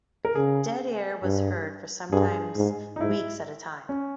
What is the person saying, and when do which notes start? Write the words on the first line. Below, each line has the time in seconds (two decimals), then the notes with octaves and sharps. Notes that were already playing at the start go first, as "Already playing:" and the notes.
Dead air was heard for sometimes weeks at a time.
0.25 A#4
0.35 C#3 G#4
1.24 G2
2.12 G2 G#4
2.56 G#2
2.96 D#4
3.00 G#2 E4
3.89 C#4